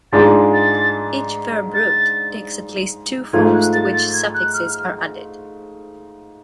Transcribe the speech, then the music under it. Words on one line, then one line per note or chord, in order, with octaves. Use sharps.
Each verb root takes at least two forms to which suffixes are added.
G#2 G#3 D4 F4 A6
A6
A6
G#2 F3 A3 F4 G#6
F#6
A6
A6
G#6
F#6
F6
F6